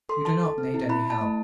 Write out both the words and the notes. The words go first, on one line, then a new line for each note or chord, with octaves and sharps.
You do not need any help.
A4 C6
A4 A5
A4
C4
E4
E4 B5
E4
A5
A3